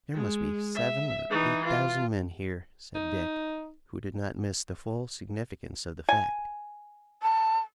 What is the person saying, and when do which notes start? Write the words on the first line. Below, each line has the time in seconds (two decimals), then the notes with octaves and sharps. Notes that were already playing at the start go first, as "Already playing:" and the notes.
"There must be seven or eight thousand men here," said Dick, who did not miss the full significance of the fact.
0.14 G#3
0.75 E5
1.30 E3 D#4
1.65 F4
2.95 D#4
6.09 G#5
7.22 A5